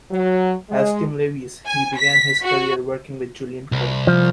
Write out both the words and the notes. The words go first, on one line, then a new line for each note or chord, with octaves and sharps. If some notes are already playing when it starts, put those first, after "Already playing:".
As Tim Lewis, he began his career working with Julian Cope.
F#3
G#3
G#5
B6
F#4
C2
F3